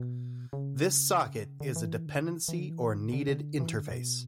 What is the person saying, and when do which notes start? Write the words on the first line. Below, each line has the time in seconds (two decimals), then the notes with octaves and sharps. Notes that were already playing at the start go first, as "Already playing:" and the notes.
This socket is a dependency or needed interface.
Already playing: B2
0.53 C#3
1.37 D3
1.45 C#3
1.60 D3
1.76 E3
2.06 D3
2.48 E3
2.59 D3
2.70 E3
2.98 D3
3.13 D3
3.28 D3
3.60 E3
3.76 D3
3.91 B2